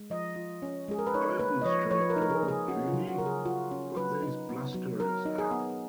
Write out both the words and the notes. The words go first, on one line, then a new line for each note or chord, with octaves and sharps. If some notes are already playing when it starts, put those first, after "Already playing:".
Open the street door, Judy; put these blusterers out!
Already playing: G#3
F3 D#5
F4
C#4
G#3 G#4
A#4
B4
D#4 C#5
A#3 B4
D#5
F3 C#5
F3 C#5
B4
A#4
D#4
A#4
G#4
A#3
G#4
C#4 F#4
F4
F#3
F#4
C#3 A#4
G#4
F4 F#4
C#4
F#3 B4
D#4
B3
F#3
F#3 A#4
D#4
G#4
B3